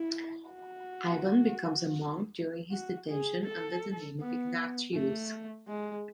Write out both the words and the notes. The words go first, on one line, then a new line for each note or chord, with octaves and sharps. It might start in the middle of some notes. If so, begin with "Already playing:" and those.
Ivan becomes a monk during his detention, under the name of Ignatius.
Already playing: E4
F#4
F#4
G#4
A4
B3
A3
G#3